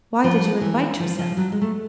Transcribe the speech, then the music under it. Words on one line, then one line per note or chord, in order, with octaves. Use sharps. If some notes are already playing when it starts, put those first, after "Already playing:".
"Why did you invite yourself?"
F3
E3
F3
F3
F#3
G#3
A3